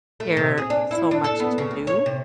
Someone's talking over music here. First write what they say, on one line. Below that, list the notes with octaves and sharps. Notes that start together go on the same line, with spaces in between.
care so much to do,
A3
C3
G#4
D4
E4
D4
A4
B3
C#3
D2
C#5
C3